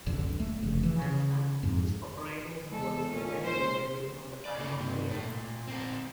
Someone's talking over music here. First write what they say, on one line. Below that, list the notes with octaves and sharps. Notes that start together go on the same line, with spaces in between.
As such, its operating hours vary depending on the time of year.
D1 A1 F#2 D3
A3
F1 C#3
E3
C#3
F2 G#2
E2 G#3 A4
A#2 C#4
C5
D5
C#3 A#3
G2 C3
A2
A#2
C4 A#4